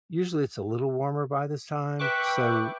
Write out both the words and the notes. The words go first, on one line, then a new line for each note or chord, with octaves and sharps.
usually it's a little warmer by this time, so,
B4 E5 G5 C#6 D6 F#6